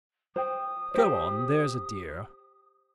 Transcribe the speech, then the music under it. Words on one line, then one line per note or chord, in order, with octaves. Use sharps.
Go on, there's a dear.
C5 G5 D#6
G4 C5